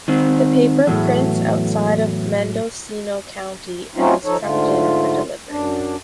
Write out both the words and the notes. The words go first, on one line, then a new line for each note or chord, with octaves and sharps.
The paper prints outside of Mendocino County and is trucked in for delivery.
D#3 C4
E2 A2 F#3 A3
F#3 A3 C4 C#4 D#4 F4
F3 D#4 A4 C#5
G#2 D3 A3 F4
F#2 D4